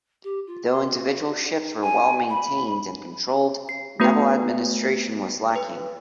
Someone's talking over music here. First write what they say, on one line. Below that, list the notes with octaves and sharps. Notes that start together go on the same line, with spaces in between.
Though individual ships were well-maintained and controlled, naval administration was lacking.
G4
F4
C6
F#4
D#4
G#5
B5
C7
A3 B3 F#4 B4 A#5
B4